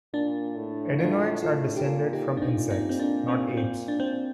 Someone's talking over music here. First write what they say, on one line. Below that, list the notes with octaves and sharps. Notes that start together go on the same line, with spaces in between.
Edenoites are descended from insects, not apes.
A#2 D4
A2
A2 D4 F4
A2 F4 A4
G4
A#2 F4 A4
D#4 G4
D4
C4 D#4
C4 D#4
C4
D4
C4
C4
D4
C4